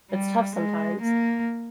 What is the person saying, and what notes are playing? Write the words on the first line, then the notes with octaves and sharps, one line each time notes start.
It's tough sometimes.
G3
G#3
A#3